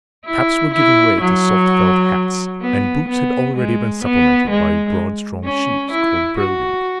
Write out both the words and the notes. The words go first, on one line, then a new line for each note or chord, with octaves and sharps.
Caps were giving way to soft felt hats, and boots had already been supplanted by broad, strong shoes, called brogans.
E4
E4
F#3
B3
B3
G#3
B3
G#3
C#4
E4
F#4